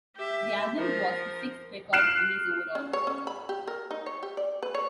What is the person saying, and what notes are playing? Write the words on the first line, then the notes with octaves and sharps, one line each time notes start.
The album was his sixth record release overall.
G4 E5
F3 A#4
F6 F#6 C7 D7 E7
C#4
C#5
C#4
B5
G4
A#4
D#4
C#5
G4
D5
B4
C#5